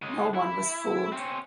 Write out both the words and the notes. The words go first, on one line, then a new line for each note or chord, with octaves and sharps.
No one was fooled.
C#3 G#3
E4
C4 C#4